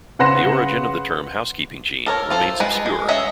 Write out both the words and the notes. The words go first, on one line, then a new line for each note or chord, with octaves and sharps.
The origin of the term "housekeeping gene" remains obscure.
C#3 B4 F#5 C6 A#6 E7
A4 A#4 C#5
F4 A4 C5
G#3 B4
G#3
G#3 C#4 F#4 D#5 E5